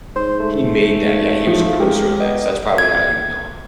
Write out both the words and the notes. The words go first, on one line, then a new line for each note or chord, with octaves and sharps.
He made that, yeah, he was a producer on that, so that's probably how you'd know him.
G#2 C5
A3
F3
G#3 G4 A#4
B3 D#5
G#6